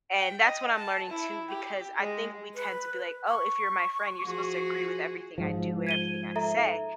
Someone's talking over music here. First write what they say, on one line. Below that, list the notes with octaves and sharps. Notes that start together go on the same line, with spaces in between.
and that's what I'm learning too, because I think we tend to be like, "Oh, if you're my friend, you're supposed to agree with everything I do and everything I say."
G5
D#5
A5
E4
G4
G#3
B4
C#6
F3 F#4 G#4
G#2 F3
G#6 D#7 G7
A4 E5 A#5